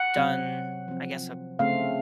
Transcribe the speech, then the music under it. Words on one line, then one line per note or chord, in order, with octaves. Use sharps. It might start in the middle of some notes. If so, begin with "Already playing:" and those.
done, I guess a
Already playing: F#5
C3 F#3 C4
F3 C4
C#3 A3 C4 F5